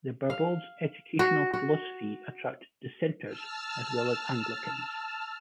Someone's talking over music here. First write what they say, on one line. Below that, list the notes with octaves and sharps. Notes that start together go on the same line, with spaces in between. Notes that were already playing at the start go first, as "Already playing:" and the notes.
The Barbaulds' educational philosophy attracted Dissenters as well as Anglicans.
F5
F#4
F#4
A5 E6 F6